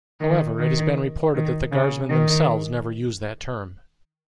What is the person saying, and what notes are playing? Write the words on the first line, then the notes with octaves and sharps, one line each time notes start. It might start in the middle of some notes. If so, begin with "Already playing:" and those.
However, it has been reported that the guardsmen themselves never use that term.
D#3
D#3
D#3
C#3
D#3